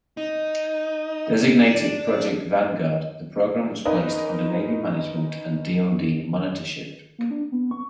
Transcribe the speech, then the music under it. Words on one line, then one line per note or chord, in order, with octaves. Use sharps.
Designated Project Vanguard, the program was placed under Navy management and DoD monitorship.
D#4
D4
C#4 D#4 A#4 B4 D#5
A#3
D4
B3
C#6